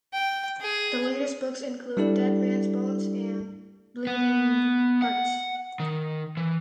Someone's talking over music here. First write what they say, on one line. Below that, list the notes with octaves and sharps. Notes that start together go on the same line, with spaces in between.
The latest books include "Dead Man's Bones" and "Bleeding Hearts".
G5
G#4
G3 D4 E4 G4 A4 D5
B3
F#5
D#3
E3